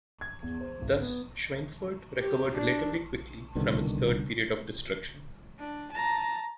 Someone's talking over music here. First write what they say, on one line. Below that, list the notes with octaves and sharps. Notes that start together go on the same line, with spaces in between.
Thus Schweinfurt recovered relatively quickly from its third period of destruction.
G#6
E2
C5
G#1
B3
G4
D4
C2 B2 D3 D#3
D4
A5 A#5